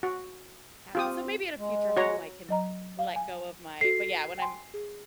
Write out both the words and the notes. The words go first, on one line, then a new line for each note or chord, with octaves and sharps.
happy. So maybe at a future home I can let go of my but, yeah, when I'm
F#4
C4 F4 G4 D#6
G#3
F#4 C#5 A#5
F#3 D#5 A#5
F5
G#5
F#4 A4 C7
G5 G#5 C6
G#4